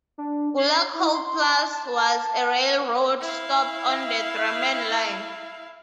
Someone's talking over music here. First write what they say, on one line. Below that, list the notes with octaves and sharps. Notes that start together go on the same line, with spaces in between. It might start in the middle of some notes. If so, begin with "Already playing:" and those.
Gullaug holdeplass was a railroad stop on the Drammen Line.
D4
C7
E4
C6
A5
E4 F5